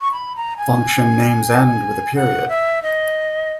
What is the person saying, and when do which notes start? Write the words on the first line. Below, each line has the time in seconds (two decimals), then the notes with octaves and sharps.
Function names end with a period.
0.01 C#6
0.12 B5
0.36 A#5
0.57 G#5
2.16 F#5
2.49 E5
2.83 D#5